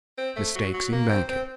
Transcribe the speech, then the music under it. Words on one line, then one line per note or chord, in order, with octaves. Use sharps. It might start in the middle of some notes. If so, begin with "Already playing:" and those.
Mistakes in Banking.
C4
A3
F#3
F#3
A#3
C4
C4